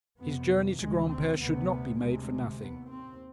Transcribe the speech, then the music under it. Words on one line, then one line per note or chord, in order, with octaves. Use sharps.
His journey to Granpere should not be made for nothing.
F2 C3 B3
D2 C3 G#3
C4
D2 C3 B3
D2 C3 G#3
D#2 B3
C4